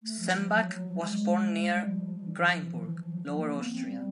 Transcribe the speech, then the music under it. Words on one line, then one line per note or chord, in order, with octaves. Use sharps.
Sembach was born near Greinburg, Lower Austria.
A3
F3
F3
F#3
F#3
F#3
F3
G3
G#3
G#3
G#3
G3
F3
F3
E3
F3
F3
E3
F3
F3
E3
F3
F#3
F3
A#3
B3
C4
G3